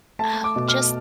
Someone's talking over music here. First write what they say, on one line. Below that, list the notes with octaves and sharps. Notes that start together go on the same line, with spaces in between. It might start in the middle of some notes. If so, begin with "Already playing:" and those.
Oh, just
A3 A5
D6
B2
F6